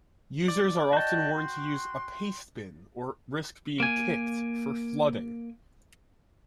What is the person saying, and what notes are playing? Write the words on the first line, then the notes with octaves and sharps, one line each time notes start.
Users are often warned to use a "pastebin" or risk being "kicked" for "flooding".
D5
F#4 D5 D#5 G5 A5
C6
A#3 G#5